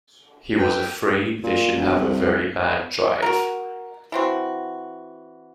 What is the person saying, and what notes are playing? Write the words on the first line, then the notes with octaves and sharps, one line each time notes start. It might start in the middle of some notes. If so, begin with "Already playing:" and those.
He was afraid they should have a very bad drive.
B4 G5
A#2
E1
C2
F#4 A#4
E3 C4 F#4